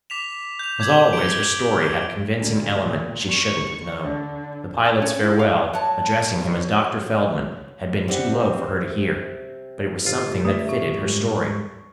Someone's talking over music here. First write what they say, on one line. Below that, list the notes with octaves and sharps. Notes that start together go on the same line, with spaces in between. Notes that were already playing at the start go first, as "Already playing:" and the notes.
As always her story had a convincing element she shouldn't have known. The pilot's farewell, addressing him as Dr. Feldman, had been too low for her to hear, but it was something that fitted her story.
D6 B6 E7 F7
G6 F7
D6 G6 G#6 F7 F#7
D7 G7
D2
A#2
C#6
D3
A5
C#4
E4
F5
F#3 A5
C3 G3 F#5
G1 F4
A3 D5 E5 D#6
C#6
G#2 G3